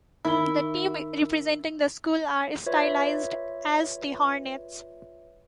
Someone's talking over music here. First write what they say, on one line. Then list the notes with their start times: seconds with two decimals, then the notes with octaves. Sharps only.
The team representing the school are stylized as the Hornets.
0.25 D#3 E4 G7
2.66 F4 B4 C#5 D5 E5